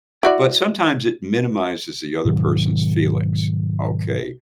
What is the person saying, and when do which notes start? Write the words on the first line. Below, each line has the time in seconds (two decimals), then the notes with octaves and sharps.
But sometimes it minimizes the other person's feelings, okay?
0.23 E4 F#4 D5
2.25 G#2 B2 D#3 F#3